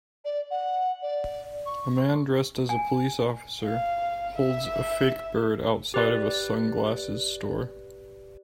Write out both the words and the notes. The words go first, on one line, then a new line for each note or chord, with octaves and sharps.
A man dressed as a police officer holds a fake bird outside of a sunglasses store.
D5
F#5
D5
C#6
G#5
F5
E5
G4 B4 D5